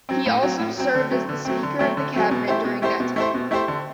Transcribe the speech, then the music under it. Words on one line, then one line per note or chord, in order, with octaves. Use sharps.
He also served as the speaker of the cabinet during that time.
F#3 C4
A2
F#3 C4
A2
F#3 C4
D3
F#3 A3 C4
D3
F#3 A3 C4
D3
F#3 A3 C4
D3
F#3 A3 C4
B2
A3 E4 G4 C5
B2
A3 E4 G4 C5
B2
A3 E4 G4 C5
B2
A3 E4 G4 C5
D3